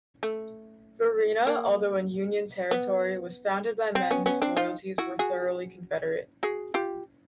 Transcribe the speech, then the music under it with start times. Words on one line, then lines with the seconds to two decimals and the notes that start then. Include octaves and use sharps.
Verina, although in Union territory, was founded by men whose loyalties were thoroughly Confederate.
0.23 A3
1.47 A#3
2.71 B3
3.95 C4
4.11 B3 C#4
4.26 B3 C#4
4.42 C4 D4
4.57 D#4 F4
4.98 E4 F#4
5.19 F#4 G#4
6.43 F#4 G#4
6.74 F4 G4